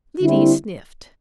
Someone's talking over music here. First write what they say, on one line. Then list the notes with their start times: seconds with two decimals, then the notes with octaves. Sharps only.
Liddy sniffed.
0.21 D3 G3 C4 E4